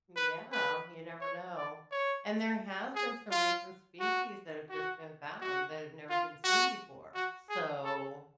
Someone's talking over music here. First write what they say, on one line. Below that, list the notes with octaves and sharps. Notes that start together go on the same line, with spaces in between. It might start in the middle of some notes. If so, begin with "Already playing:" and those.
Yeah, you never know. And there has been some recent species that have just been found that have never been seen before, so,
B4
B4
C#5
D5
C#5
G#4
F4
F#4
F#4
F#4
F4
F#4
F#4
G#4
A4